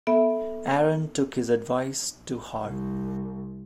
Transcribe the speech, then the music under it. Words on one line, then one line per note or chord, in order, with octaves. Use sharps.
Aaron took this advice to heart.
B3 A4 E5
C2